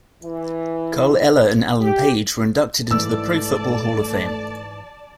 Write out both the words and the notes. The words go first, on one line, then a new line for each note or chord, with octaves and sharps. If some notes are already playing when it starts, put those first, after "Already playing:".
Carl Eller and Alan Page were inducted into the Pro Football Hall of Fame.
E3
G4
G#2 E3 A3 D5 A5 E6